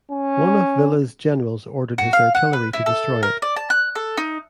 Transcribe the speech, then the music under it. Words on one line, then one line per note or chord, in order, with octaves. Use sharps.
One of Villa's generals ordered his artillery to destroy it.
C#4
F#4
F5
F#5
B4
E4
A4
A#4
D5
A5
F#6
A4
D#4